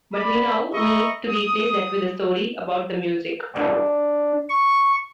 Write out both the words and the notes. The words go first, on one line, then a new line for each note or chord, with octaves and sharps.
But we now need to replace that with a story about the music.
D5 B5
D#5 E5 A#5 B5 C#6
D#6
D4
C#6